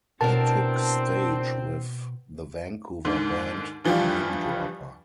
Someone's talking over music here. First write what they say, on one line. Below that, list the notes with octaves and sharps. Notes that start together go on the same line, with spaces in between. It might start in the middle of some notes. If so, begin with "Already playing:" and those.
He took stage with the Vancouver band Namedropper.
B2 C4 D4 E4 A#4 A5
D#2 G#2 D3
G2 E3 F3 G3 F4 G4